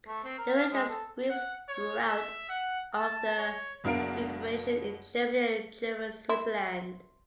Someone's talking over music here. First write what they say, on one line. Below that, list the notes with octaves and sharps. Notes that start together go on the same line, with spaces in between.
The religious groups grew out of the Reformation in Germany and German Switzerland.
A3
C4
A#4
F5
G#3
A4
F#5
C#5
E5
F#5
A5
C#5
F#1 B2 D4 A#4 F5 D7
E4 C6